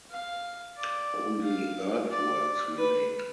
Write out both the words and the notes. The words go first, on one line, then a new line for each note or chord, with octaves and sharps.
Only earthworks remain.
F5
D5
F5
D5
B4